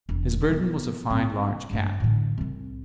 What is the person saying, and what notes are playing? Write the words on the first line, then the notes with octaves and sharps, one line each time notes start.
His burden was a fine large cat.
E1
B2 B3
G#2 C4
G2 A3
A2 D3
C2 C3